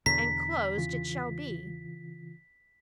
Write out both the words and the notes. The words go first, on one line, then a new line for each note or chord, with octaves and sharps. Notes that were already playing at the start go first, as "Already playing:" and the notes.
And closed it shall be.
E2 B2 D3 A#5 B6
C#3 E3 F4